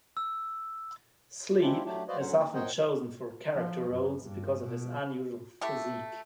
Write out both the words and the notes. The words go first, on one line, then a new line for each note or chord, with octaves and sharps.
Sleep is often chosen for character roles because of his unusual physique.
E6
G#3 C4 D4 E4 F4 G4
F#3 A3 D4 G4
F4 F#4 B4 C5 D5 D#5
D3 F#3 C#4 C5 F#5
A#3
A#4 C5 C#5 D#5 F#5 G5
F3
F#2
G2
B2
A3 E4 G4